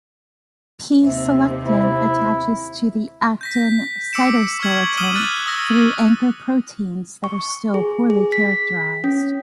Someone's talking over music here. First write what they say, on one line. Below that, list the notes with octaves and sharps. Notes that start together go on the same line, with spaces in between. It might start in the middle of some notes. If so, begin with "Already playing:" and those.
P-selectin attaches to the actin cytoskeleton through anchor proteins that are still poorly characterized.
D#2 C3 C4 E5
E4
G6 A#6 B6
D6 E6 C#7 D7 E7
C#6 E6 F6 G#6 F#7
D#6 F6 D#7 E7 F#7 G7
F6 F#6 A6 D#7
D#6 E6 A#6
C#6
G#4
G#4
B6
C#4